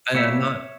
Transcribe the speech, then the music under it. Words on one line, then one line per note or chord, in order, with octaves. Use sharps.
And I'm not
A2 G3 A#3 C#4 E4 C#5 E5